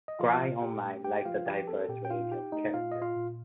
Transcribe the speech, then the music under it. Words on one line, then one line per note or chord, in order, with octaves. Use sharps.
Gry Online liked the diverse range of characters.
D#5
F3 F4 F5
A#2
A#2 G4 G5
A3
A3 G4 G5
F3 F4 F5
F3 G4 G5
C4 A4 A5
A#2 G4 G5
G5
D#4 F4 F5
D#4 G4 G5
A3 D#4 D#5
A#2 F4 F5
A#2 D#5
F4 F5
A#2